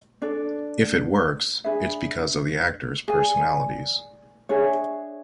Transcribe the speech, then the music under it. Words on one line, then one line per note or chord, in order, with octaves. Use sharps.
If it works, it's because of the actors' personalities.
D4 A4 D5
D4 G#4 B4 E5
G#4 D5 G#5
D4 G#4 C#5 E5